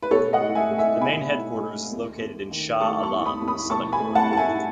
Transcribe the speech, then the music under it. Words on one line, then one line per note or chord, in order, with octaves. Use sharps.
The main headquarters is located in Shah Alam, Selangor.
B4
B2 A4 C#5
D#5 F#5
A3
E5 G#5
A3
E5 G#5
B2 G#5 B5
B2
A3
D#2
D#2
D#3
A3 A5 C#6
A5 C#6
D#2
B5 D#6
D#2
B5 D#6
B2 A5 C#6
G#5 B5
A3
F#5 A5
A3 A5
E5 G#5